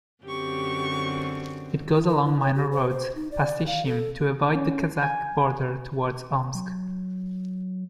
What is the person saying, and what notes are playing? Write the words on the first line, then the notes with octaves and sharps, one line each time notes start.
It goes along minor roads past Ishim to avoid the Kazakh border towards Omsk.
F#2 D3 C4 G4 C#6
E4
A#4
E4
C#5
G4
C5
C5
D#4
D5
F5
A4
C#4
G#5
F#3